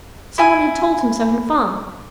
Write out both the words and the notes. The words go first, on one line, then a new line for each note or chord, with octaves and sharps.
Some one had told him so in fun.
E4 G#5